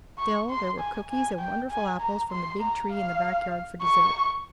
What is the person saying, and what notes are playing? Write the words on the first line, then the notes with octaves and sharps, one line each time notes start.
Still, there were cookies and wonderful apples from the big tree in the back yard for dessert.
C#6
C6
G#5
G#5
G5
G#5
A#5
C6
A#5
F5
C#6